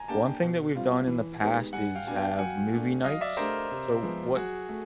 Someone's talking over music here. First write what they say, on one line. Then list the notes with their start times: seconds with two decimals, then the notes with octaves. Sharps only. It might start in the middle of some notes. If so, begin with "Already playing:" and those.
one thing that we've done in the past is have movie nights. So, what
Already playing: G#5 A#5
0.08 A#3 D4 G4 G5 A5
0.42 B2
0.75 G3 C4 F4
1.07 E3
1.41 G#3 B3 D#4 G4
1.72 G3 F#5 G#5
1.95 F5 G5
2.06 B3 D4 F#4 G#5
2.17 F5 G5
2.38 F#3 F#5 G#5
2.71 A3 D4
3.04 F#3 D#5 F5
3.21 D5 E5
3.37 A3 D4 G4 A#4 C5
3.71 C3
4.03 F3 G#3 B3
4.35 F#3 F#4 G#4
4.69 A3